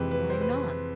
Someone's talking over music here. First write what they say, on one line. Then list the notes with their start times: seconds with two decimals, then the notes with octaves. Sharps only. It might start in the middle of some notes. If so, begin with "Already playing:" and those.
"Why not?"
Already playing: F2 C3 E3 G#3 B4
0.11 B4
0.30 C5
0.41 B4